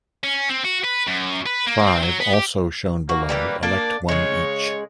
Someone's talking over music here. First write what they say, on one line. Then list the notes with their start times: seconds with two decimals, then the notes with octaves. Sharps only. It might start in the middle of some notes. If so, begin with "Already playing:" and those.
Five, also shown below, elect one each.
0.24 C#4
0.49 C4
0.64 F#4
0.84 B4
1.07 F#2
1.46 B4
1.67 A#3
1.86 C4
2.03 F#3
2.20 B3
2.33 G4
3.09 A#3 F#4
3.29 E3 G3 B4
3.63 A#3 D4 D5 A5
4.09 C#3 G#3 C#5